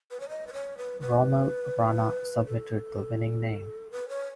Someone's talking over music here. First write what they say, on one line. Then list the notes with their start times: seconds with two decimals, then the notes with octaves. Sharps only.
Rommel Rana submitted the winning name.
0.11 B4
0.20 C#5
0.29 D#5
0.47 B4
0.53 C#5
0.77 B4
1.01 B4
2.46 A4
3.91 B4
4.09 C#5